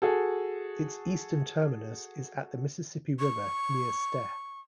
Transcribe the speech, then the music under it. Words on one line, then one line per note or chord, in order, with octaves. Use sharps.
Its eastern terminus is at the Mississippi River near Ste.
F#4 G#4 A4
C#6